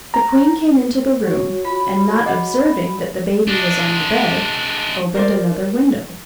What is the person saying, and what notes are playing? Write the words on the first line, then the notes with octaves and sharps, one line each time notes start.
The queen came into the room, and not observing that the baby was on the bed, opened another window.
A#5
F#4 C#5
F4 B5
G#4 D#5 F#5
G#3 D4
A#4 C5 D5